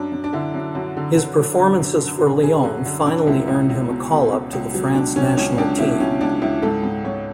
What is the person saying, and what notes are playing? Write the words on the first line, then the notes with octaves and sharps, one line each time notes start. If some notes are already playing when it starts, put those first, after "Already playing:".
His performances for Lyon finally earned him a call-up to the France national team.
Already playing: F#2 D4
F#2
D4
D3 E4
F#2
F#2 F#4
D3
D3
F#3
D3
F#2
F#3
D3
F#2 G#4
F#2 F#4
D3
F#2 D4
C#2 E4
C#2
C#2
B2
B2
B2
C#2
F#3
B2 D4
F#3 C#4
C#2 C#4
C#2 D4
B2 E4
C#2 C#4
C#2 D4
C#2 E4
G#2 A4
G#2
G#2 C#5